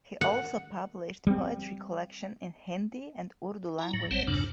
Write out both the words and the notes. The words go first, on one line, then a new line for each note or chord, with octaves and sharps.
He also published poetry collections in Hindi and Urdu languages.
F#5
G3 C4
E4 A#5
A2 F#3
A1 G3 C4 C5 C#5 F#5
E2 G2 A#2 C#3 D4